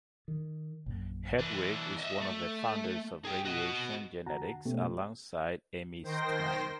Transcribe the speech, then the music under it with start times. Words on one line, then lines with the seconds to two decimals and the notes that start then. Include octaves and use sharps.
Hertwig is one of the founders of radiation genetics alongside Emmy Stein.
0.28 D#3
0.86 A#1 F#2
1.39 E3 D4
1.98 D#5 E5
2.21 A3
3.25 G#4 G5
3.45 F#4 D#5
4.26 F2 D3 F#4 F#5 A5 A#5
4.65 B2 A3 B3 C#4 G4
6.03 D#3 C5 G5 C6 A#6